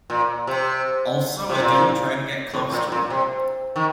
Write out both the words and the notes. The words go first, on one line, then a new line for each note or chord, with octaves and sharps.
Also I didn't try to get close to him.
A#2
C3
C3
A#2
A2
A#2
A#2
C3
D#3